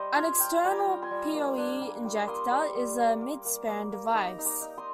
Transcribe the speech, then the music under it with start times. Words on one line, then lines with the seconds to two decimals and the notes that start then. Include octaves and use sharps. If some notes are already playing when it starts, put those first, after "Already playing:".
An external PoE "injector" is a "midspan" device.
Already playing: G3 C5 D#5
0.16 F4 F5 G#5
0.40 F4 G5 A#5
0.64 G3 G#5
0.71 G5 A#5
0.87 G3
1.02 G#5 C6
1.11 G3
1.34 A#3
1.58 D4
1.81 G3
2.05 G3
2.27 A#3 C6 D#6
2.51 G3
2.75 G3
2.98 A#3
3.21 A#3
3.45 A#3
3.68 A#3
3.92 A#3
4.15 D#4 A#5 D6
4.39 D#4
4.46 A#5 D6
4.62 D#4
4.78 C6 D#6